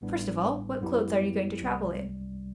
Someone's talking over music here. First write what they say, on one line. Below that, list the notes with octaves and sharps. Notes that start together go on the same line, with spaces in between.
"First of all, what clothes are you going to travel in?"
A1 A2 G3 B3 D4
F#2 F#3 B3 E4 G4
C2 C3 G3